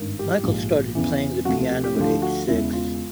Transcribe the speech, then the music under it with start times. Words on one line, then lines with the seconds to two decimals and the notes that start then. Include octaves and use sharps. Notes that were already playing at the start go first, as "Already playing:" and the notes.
Michael started playing the piano at age six.
Already playing: G#1 G2 D#3
0.19 G4
0.44 A#1 G#2 F3
0.95 E2 C#3 E3
1.45 D2 C3 F3 F#4
1.71 G4
1.84 G4
1.96 D2 D3 F3 G4
2.22 F#4
2.48 E1 E2 C#3 E4
2.73 F4